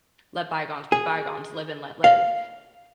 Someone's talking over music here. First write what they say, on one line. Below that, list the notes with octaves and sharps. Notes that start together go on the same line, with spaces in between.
let bygones be bygones? Live and let live."
G#4
F5